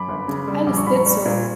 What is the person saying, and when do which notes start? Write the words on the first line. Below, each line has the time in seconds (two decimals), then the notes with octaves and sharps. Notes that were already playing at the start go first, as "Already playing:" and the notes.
Alice did so.
Already playing: F#2 B5 D6
0.09 G1
0.28 C#3
0.47 G3
0.67 A#1 D6
0.77 C#6
0.87 A#1 B5
0.96 A#5 C#6
1.06 G3
1.26 A#2